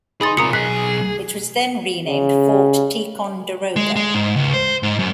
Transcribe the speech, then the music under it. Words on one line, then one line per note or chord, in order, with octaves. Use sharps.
It was then renamed Fort Ticonderoga.
D#4 G#4 B5 C6 D#6 A6
C#2 C3 F4 A#4 A#5 D#6 C#7
B1 G#4 D#5 F#6 B6
C#3
G#3
G#3
G#2
C#2
C5
G#2
F#2